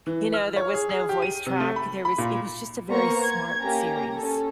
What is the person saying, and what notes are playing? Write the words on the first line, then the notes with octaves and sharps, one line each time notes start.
you know, there was no voice track. There was it was just a very smart series.
E3
F6
C#5
G#4
G#4
G4
D#7
C3
A3
B5
B5
A#2
A#3 B3 C5 A#5 C#6
G#6
A#3 C#4 G4 A#5
C#4 A4